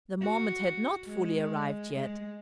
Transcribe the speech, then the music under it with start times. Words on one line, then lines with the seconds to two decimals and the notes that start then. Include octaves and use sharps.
The moment had not fully arrived yet.
0.22 F#4
1.07 G#3
1.93 G#3